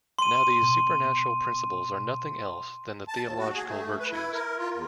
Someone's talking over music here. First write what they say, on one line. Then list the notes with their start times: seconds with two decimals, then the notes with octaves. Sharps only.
Now these supernatural principles are nothing else than the theological virtues.
0.19 C6 D#7
0.63 B2
3.08 A5
3.23 D#2
3.39 F#4
3.55 G#4
3.68 A3
4.00 B4
4.11 E4
4.33 A#4
4.58 F4
4.74 E2